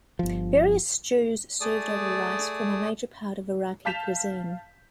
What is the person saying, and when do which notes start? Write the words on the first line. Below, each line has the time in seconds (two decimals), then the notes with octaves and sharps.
Various stews served over rice form a major part of Iraqi cuisine.
0.19 G1 F3
1.61 A3 G#4 D5 A5 D#6
3.85 F5 A5 G6 B6 E7 F7